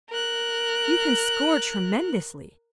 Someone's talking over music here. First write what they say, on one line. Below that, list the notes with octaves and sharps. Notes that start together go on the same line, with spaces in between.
You can score tremendously.
A#4 F#6